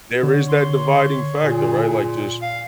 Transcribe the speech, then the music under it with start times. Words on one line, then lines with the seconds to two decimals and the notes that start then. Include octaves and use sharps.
there is that dividing factor, right, like, just
0.23 D3 C#5
0.49 C6
1.42 A#2 G#4
2.42 F5